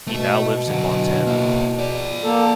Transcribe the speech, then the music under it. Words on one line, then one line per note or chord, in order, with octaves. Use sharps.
He now lives in Montana.
B2 A3 A4
D3 F#3
A#3 E4
G#4 D5
A#3 A4